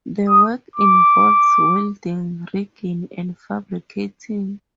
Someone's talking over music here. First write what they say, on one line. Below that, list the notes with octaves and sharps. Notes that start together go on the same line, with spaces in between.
The work involves welding, rigging and fabricating.
D#6
D6